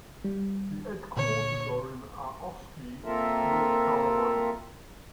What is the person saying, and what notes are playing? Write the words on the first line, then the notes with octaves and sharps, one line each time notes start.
The headquarters are in Ahoskie, North Carolina.
G3
A#2 D3 C#5
A#3 C4 F4 A4 A#4 E5